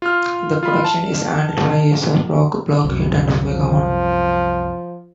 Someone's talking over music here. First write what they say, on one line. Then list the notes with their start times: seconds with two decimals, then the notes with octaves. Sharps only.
The production is handled by Aesop Rock, Blockhead, and Omega One.
0.02 F4 F6
0.63 F4 B5
0.85 A5
2.84 C2 F#2
3.51 F3